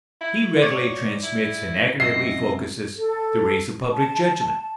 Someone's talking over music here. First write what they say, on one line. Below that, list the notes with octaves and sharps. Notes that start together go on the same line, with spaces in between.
He readily transmits and accurately focuses the rays of public judgment.
E4
G#2 C#5 D5
E4
F#2 C3 D#5 E5 C7
A4
A5